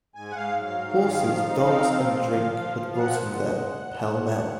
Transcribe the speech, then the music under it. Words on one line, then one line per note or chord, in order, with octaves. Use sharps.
Horses, dogs, and drink had brought him there, pell-mell.
G#2 G#5
F#5
G#2 F5
F#3
G#2
D#3
F3
D#4
C4
F3
A#2
F3
F3
F3
F5
A#2 F#5
G#3